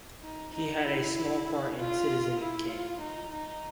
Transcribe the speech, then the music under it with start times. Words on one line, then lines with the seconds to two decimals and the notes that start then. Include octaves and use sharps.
He had a small part in "Citizen Kane".
0.22 D#4
0.54 D#4
0.84 E4
1.77 F4
2.39 E4
2.69 F4
3.00 D#4
3.31 D#4